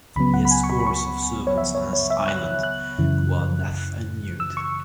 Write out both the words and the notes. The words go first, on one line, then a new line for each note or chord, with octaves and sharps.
He has scores of servants on his island, who are deaf and mute.
C#2 C#3 F#3 B3 B5
F#5
B5
G#5
C#6
B5
B5
C#6
C#5
E5
C#5
C#5
E5
F#6
F#6
F#2 C#3 E3
E6
C#6